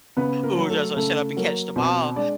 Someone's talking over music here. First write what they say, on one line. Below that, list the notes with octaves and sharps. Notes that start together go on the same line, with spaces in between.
who are just, like, "Shut up and catch the ball,"
C#3 B3 B4
A#3 A#4
F#3
A3 A4
C#3 A3 A4
F#3 A#3 A#4
B2 C4 C5
G#3 D4 D5